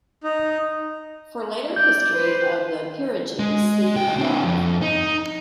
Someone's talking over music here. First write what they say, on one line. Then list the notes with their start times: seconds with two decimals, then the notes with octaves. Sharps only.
For later history of the peerages, see above.
0.24 D#4
1.76 D5 G6
2.14 B4 C5
3.39 G#3
3.95 C#2 G5
4.18 C4 D4
4.44 F2
4.82 D#4